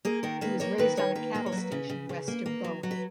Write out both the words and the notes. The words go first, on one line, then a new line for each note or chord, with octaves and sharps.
He was raised on a cattle station west of Bowen.
A#3 G#4
D#3 A#4
A#3 B4
A#3 C#5
D#3 B4
D#3 C#5
A#3 B4
A#3 B4
C#5
F#3 B4
C#3
C#3
C#3
A#3
A#3
F#3
F#3
B4